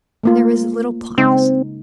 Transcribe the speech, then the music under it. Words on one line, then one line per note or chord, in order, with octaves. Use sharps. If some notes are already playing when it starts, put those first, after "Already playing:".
There was a little pause.
A3 A#3 F4
C#3 G#3 C4 D#4